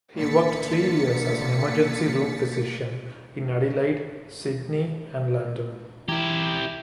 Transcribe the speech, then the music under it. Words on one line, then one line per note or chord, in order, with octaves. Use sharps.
He worked three years as an emergency-room physician in Adelaide, Sydney and London.
A#2 D3 A#3 A6 B6 C#7
E3 E4 G4 A#5 G#6